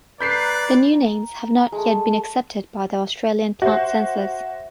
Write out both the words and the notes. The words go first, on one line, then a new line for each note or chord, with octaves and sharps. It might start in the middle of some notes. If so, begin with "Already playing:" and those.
The new names have not yet been accepted by the Australian Plant Census.
B4 D5 A#5 F#6 G6 B6 C7
A#5
G#3 A3
F#4 C5 E5